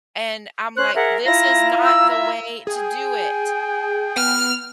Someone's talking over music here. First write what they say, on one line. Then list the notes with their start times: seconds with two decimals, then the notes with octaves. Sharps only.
and I'm like, 'This is not the way to do it.'"
0.76 C#4 C5 F#6
0.96 G#4 A#4 E5 F#5
1.24 E4 F4 A#5 A#6
1.84 E6
2.09 E5
2.67 G#4 G5 G#5
4.16 B3 F6